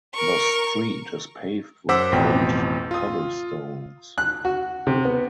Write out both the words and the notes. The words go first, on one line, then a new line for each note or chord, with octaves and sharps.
The street is paved with old cobblestones.
A#4 C#6
F#2 C5 F#5 D6 E6 B6
A1 F2 B2 G5
F4 D#6
F#6
F#4
C3
B3